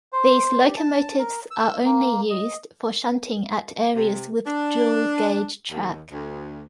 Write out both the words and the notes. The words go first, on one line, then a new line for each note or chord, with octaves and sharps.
These locomotives are only used for shunting at areas with dual gauge track.
C5
G4
A5
A#4
E6
A#3
D#5
C3
D4
D#2
D2